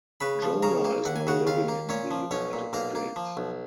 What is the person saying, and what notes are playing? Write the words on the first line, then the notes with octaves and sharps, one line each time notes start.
Jona is now living in the United States.
C#3 B4 B5
F3
C#3 A#4 A#5
A#3
D#2 F#5
G#5
C#3 F#4 F#5
D#2 F4 F5
A#3
A#2 C#4 C#5
F3
B1 C#4 C#5
A#2
B1 A#3 A#4
A#3
F3
B1